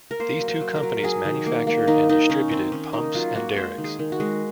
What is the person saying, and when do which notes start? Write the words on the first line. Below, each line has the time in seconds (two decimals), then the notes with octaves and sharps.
These two companies manufactured and distributed pumps and derricks.
0.11 A#4
0.20 A#3 C5
0.40 F#3
0.48 C5
0.61 F#3
0.76 A#4
0.83 F#3
1.03 F#3 G#4
1.25 D#3
1.46 A#3
1.67 A#3
1.87 D#3 D#4
2.09 D#3 D#4
2.30 D#3 C#4
2.51 D#3 C4
2.72 D#3 C#4
2.93 A#3 D#4
3.15 F#3 F4
3.35 A#3 F#4
3.56 G#3 C5
3.78 D#3
3.84 G#4
3.99 D#3
4.12 F#4
4.20 G#3